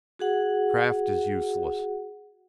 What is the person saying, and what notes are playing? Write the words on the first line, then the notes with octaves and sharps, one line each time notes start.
Craft is useless!
F#4 G#4 F#5